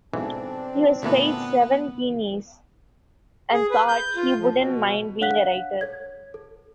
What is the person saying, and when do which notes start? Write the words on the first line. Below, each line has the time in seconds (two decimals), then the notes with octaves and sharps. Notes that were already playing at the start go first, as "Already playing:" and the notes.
He was paid seven guineas, and thought he "wouldn't mind being a writer".
0.13 B1 G#2 E3 C4 D4
1.03 D2 A#2 E3 B3
3.53 G#4
3.71 B4
3.88 G6
4.16 F4
4.39 F3
4.54 B2
5.21 D4 C#5 F5 F#5 F#6 B6
5.81 A4 C#5 G#6
6.34 A4